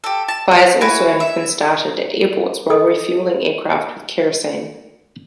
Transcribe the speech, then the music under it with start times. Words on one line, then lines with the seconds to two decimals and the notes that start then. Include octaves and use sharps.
Fires have also been started at airports while refueling aircraft with kerosene.
0.04 G4 A4
0.28 A5
0.51 F#5
0.81 E4 F#4 B4 G#5
1.20 E5
2.70 A4 D#5 D#6